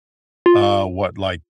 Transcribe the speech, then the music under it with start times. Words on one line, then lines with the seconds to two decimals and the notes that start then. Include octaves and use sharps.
uh, what, like,
0.46 F4